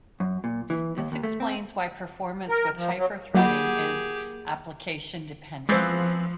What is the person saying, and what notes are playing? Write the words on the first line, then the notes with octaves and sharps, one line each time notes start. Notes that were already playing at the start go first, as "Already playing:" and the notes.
This explains why performance with hyper-threading is application-dependent.
F#2
A#2
E3
D#2
D#2
A3
C4
A#4
F3
F#3
F#3 A#3 F4 G4 G#4 F#5 D6
E3 F3 G#3 B3 C4 C5